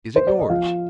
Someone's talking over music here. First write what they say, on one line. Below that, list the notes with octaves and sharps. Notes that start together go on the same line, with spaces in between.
"Is it yours?"
C5
D5
D#5
F3 F5